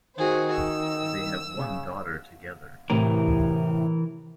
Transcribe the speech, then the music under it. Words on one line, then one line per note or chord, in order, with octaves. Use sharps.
They have one daughter together.
D#3 F#4 G#4 C5
E6
C#3
A2 C3 E3 G4 A#4